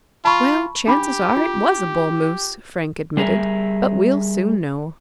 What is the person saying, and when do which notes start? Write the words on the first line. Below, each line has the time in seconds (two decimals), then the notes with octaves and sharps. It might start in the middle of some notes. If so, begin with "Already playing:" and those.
"Well, chances are it was a bull moose," Frank admitted; "but we'll soon know."
0.25 F4 A5 B5 C#6
0.88 D4 G4 B5 D6
1.37 F4
3.17 G3 G#4 A#4 E5